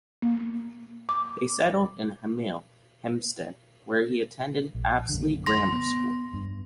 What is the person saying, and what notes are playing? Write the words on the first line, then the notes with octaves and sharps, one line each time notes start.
They settled in Hemel Hempstead where he attended Apsley Grammar School.
A#3
D6
A#1
F#2 D3
C6 A#6
B3
G2